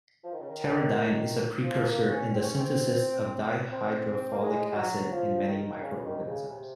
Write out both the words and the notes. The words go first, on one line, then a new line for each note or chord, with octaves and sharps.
Pteridine is a precursor in the synthesis of dihydrofolic acid in many microorganisms.
F3
D#3
C#3
D#3
F3
A#3
C#4
C4
C#4
C4
C4
A#3
G#3
G#3
F#3
F3
D#3
C#3
D#3
C3
C#3
C3